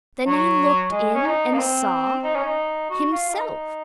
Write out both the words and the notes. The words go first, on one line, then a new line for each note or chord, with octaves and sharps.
Then he looked in and saw--himself.
F#3
G#3
C#4
D#4
A#3
C4
D#4
C#4
D#4
F#4
F4
F4
D#4